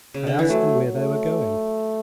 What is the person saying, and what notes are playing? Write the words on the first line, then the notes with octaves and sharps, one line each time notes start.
I asked them where they were going.
C#3
D3
E3
F#3 A3
A3